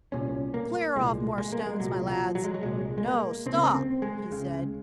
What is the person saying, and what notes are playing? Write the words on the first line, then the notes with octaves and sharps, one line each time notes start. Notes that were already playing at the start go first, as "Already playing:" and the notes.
"Clear off more stones, my lads. No; stop!" he said.
C2 A#2 C#4
A#3
C2 A#2 G#3
G#3
A#3
G#3
C2 A#2 F#3
F3
F#3
G#3
F#3
C2 A#2 G#3
G#3
A#3
C#2 C#3 A#3 C4
C4
C4
G#3
C#2 C#3